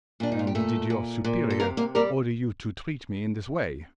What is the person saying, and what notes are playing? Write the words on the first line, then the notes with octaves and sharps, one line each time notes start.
"And did your superior order you to treat me in this way?"
A#2 D4
D#4
F4
G4
A#2 A3 A4
A#2
A#2
A4
C3 A#3 A#4
A#3 A#4
G3 A#3 A#4